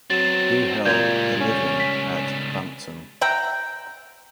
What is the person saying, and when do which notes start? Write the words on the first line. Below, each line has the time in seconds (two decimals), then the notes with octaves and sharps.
He held the living at Bampton.
0.10 F#3 B3 C4 A6
0.85 C#2 A#2 G3 G6 G#6
1.41 C#4
1.80 B6
3.21 E5 F#5 G5 A#5